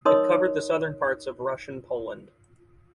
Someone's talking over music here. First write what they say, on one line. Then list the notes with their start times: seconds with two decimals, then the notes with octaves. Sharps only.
It covered the southern parts of Russian Poland.
0.05 D#4 A#4 C#5 D#5 C6 D#6